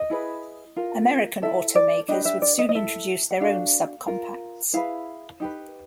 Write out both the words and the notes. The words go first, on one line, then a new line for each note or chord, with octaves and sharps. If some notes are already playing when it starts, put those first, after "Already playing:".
American automakers would soon introduce their own subcompacts.
Already playing: D#5
E4 G#4 B4
F4 A#4
E4 A4 E5
D5
D4 G4 B4 D#5
E5
D5
D#5
D#5
E4 A4 E5
F#5
D4 F#4 A4 F5
F4 A#4
E4 G#4 B4 F5
D#4 G4 B4